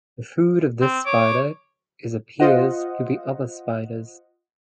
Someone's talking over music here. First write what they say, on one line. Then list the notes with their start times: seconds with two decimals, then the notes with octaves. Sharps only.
The food of this spider is appears to be other spiders.
0.82 C4
1.06 C#5 D6
2.40 F4 C5 D#5 F#5